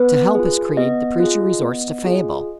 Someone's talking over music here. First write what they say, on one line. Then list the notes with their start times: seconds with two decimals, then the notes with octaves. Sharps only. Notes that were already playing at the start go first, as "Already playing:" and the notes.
To help his creed, the preacher resorts to fable.
Already playing: B3 B4
0.35 F4 G#4
0.77 B3 D#5
1.20 F4 G#4
1.62 B3
2.04 F4 G#4